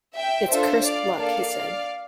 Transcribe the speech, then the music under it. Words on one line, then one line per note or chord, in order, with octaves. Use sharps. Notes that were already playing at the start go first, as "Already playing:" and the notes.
"It's cursed luck," he said.
E5 G5
D4 F4 A4 C5 E5
D5 F5
A#3 D4 A4 D5 F5